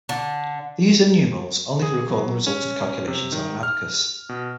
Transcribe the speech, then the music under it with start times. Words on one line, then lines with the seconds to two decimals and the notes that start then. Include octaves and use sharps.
They used their numerals only for recording the results of calculations on an abacus.
0.09 D3
1.82 G#4
2.09 F#3
2.47 C#4
3.08 C3
3.32 D#3
3.63 F6
4.29 B2